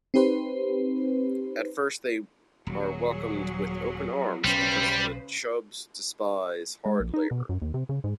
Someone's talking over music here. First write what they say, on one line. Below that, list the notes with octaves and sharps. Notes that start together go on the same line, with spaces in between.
At first they are welcomed with open arms because the Chubs despise hard labor.
C4 D#4 G4 B4 C5
D#1 F#3 G#4
B1 C#3 G3 C#4 B4 C5
G#3
A#1
D#4
B2
F#2
D#2
C3
C#3
G#2